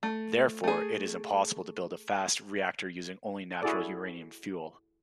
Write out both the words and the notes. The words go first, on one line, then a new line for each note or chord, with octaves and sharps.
Therefore it is impossible to build a fast reactor using only natural uranium fuel.
A3
A3 G#4
E4 F#4 G#4 A4 D5